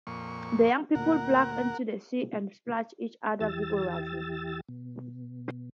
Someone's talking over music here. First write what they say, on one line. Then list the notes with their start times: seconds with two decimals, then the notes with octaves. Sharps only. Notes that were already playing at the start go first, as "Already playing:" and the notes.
The young people plunged into the sea and splashed each other vigorously.
0.07 F2 A#2 C#6
0.95 D2 A#2 A#4 F#5
3.40 E2 E3 G4 E6 A6
4.69 B2